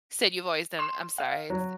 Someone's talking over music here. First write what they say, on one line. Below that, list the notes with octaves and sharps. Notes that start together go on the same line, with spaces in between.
Said you've always done I'm sorry, it's
C6 E7
F5
F#3